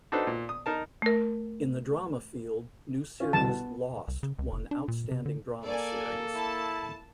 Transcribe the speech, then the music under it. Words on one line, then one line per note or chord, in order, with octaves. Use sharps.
In the drama field, new series "Lost" won Outstanding Drama Series.
D4 D#4 F#4 A4 B4 C5
A#2
D#6
D#4 A#4 A5
A3 A#4
C#4 F4
G1 C2 B2 A5
B3
C2
C#3
C#2
F1
D4
A#2
C3
D3
A#3 A4 D5 G#5
E4 A5